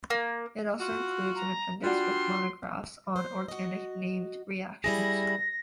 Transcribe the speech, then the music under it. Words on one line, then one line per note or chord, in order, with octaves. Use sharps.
It also includes an appendix with monographs on organic named reactions.
A#3
F4 F#4
A#5
G3 D4 F4 F#4 F#5 C6
C5
F#4 D#5
G3 E4 G#4 A#6